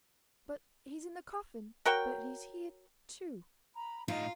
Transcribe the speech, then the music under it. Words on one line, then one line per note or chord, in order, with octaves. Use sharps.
But he's in the coffin ... but he's here, too.
F#4 A#4 C#5 G5
A#5 B5
A2 D#4 F4 D#5 F5 A#5